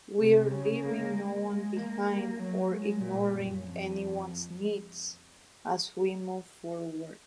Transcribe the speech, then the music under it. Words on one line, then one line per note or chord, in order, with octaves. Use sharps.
We’re leaving no one behind or ignoring anyone’s needs as we move forward.
C3
C#3
A#3
G#3
G#3
A#3
A#3
F#3
G#3
A#2
F#2
F2